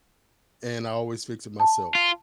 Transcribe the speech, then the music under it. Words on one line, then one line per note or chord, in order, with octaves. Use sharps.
and I always fix it myself.
A5
F4